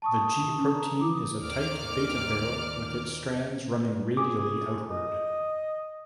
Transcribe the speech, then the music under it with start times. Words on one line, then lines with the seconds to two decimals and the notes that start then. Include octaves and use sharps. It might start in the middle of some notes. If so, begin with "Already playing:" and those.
The G protein is a tight beta barrel with its strands running radially outward.
0.02 A5 C#6 D#6
0.44 C3
0.56 C#4
0.72 A#5
0.89 A#5
1.01 E4 D6 D#6
1.39 D#2 D#3 D5 D6 F6
4.17 G#4 D6
4.91 D#5